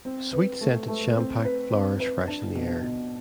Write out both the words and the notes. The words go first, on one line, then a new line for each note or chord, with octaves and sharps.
Sweet scented champak flowers freshen the air.
C4
B4
A3
A3
C4
B4
C4
B4
D4
B2
B2